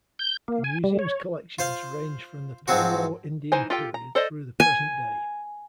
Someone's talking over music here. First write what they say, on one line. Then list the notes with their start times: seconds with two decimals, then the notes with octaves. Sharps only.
The Museum's collections range from the Paleo-Indian period through the present day.
0.19 G6
0.48 A#3
0.64 G#5
0.84 G3
0.99 C#5
1.59 F4 C5 F5
2.68 G#2 F3 F#3 C4 F#4
3.52 E3 D#4 C5 G#5
3.70 F4 G4 A4 G5
3.94 A#5
4.15 A4 C5 D5 D#5
4.60 G#5